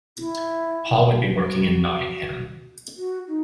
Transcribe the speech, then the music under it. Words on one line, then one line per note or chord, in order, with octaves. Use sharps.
Paul would be working in Nottingham.
E4
F#4
F#4
D#4